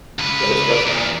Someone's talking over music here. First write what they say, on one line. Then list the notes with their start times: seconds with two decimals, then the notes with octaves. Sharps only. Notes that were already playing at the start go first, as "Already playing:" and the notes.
Yeah, that's stress
0.19 C#2 B4
0.70 A#3 D5
0.86 E2 A#2